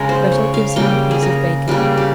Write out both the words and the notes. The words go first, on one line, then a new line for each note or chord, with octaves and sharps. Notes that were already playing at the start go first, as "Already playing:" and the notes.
Grettel gives him a piece of bacon.
Already playing: C#3 G#3 G#4 A#4
C5
C#5
F5
C#3 G3 A#3 G5
G#4
A#4
C#3 G3 A#3
G4